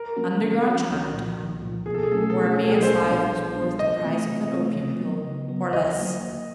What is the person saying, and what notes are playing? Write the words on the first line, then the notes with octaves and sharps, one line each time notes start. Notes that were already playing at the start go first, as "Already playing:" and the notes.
Underground Chinatown--where a man's life was worth the price of an opium pill--or less!
Already playing: A#4
F3 A#3 C#4 F#4
D3
F3 A#3 C#4 F#4
C2
A#2 F3
C2
A#2 F3
B2 G#4
A4
G#4
F#3 A3 C#4 A4
G#4
A4
B2 G#4
A4
F#3 A3 C#4 G#4
A4
G#4
A#1 C5
A#2 G3 B3 D4
A#1
A#2 G3 B3 D4
C3 D#5
E3 A3 C4 F4
C3
E3 A3 C4 F4
C#3
F#3 B3
C#3
F#3 B3
D#2 D#5
D3 F#3 A#3
D#2